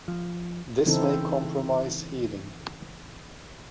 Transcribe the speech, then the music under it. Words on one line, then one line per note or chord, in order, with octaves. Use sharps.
This may compromise healing.
F3
C#3 E3 C4 D#4 E4 A4